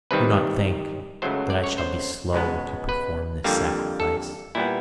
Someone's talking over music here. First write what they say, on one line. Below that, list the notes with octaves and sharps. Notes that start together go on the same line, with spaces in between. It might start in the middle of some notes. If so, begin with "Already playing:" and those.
Do not think that I shall be slow to perform this sacrifice.
C2 C3 D#3 G3 B4
C#2 C#3 F#3 A3 C5
D5
C#5
C5
C#2 B2 G#3 B3
B4
F2 D3 G3 A#3
A4
A#2 G3 B3 E4